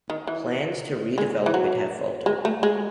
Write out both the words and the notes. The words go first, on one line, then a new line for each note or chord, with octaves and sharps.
Plans to re-develop it have faltered.
D#3
E3
G#3
E3
F#3
G#3
A3
G#3